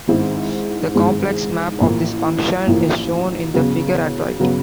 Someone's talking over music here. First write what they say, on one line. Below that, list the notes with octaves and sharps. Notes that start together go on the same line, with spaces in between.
The complex map of this function is shown in the figure at right.
G#2 D#3 G#3 C4 E4
G#2 D#3 G#3 C4 E4
A1 A2 F3 A#3
A1 A2 F3 A#3
E2 C#3 F#3 B3
C#3 F#3 B3